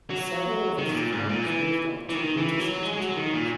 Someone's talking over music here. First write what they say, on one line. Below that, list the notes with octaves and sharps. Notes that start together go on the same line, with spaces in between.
Several of its developers moved on to Mithis Entertainment.
F#3
D#3
B2
A#2
G#2
A#2
E3
E3
D#3
E3
F#3
G#3
G#3
F#3
D#3
A#2